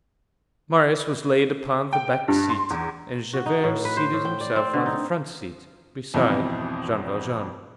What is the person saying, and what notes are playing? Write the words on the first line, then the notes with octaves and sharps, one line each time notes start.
Marius was laid upon the back seat, and Javert seated himself on the front seat beside Jean Valjean.
G5
G2
C6
E2
F#4
D#4
A2
B4
C5
A2
G5
D5
C4
D3
D#4
G#1 F2 B2 E3 C4 D#5